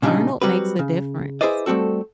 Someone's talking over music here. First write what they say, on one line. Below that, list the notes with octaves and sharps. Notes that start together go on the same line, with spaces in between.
Arnold makes a difference.
A#2 C#3 G3 D4 D#4
F#3 G3 C4 F#4 B4
C#3
E4 G#4 B4 C5 D5 D#5
G3 A3 C4 F#4 A4